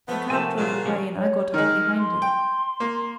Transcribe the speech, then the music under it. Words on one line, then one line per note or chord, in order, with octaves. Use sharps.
The cab drove away, and I got up behind it.
F3 A3 B3 B4
C3 F3 A3 A#4 G#5 A5
A#2 F#3 F4 F#4 G#4
D3 F3 C#4 G4 C#6
C#5
D#3 G#3 F6
C6
G5
A#3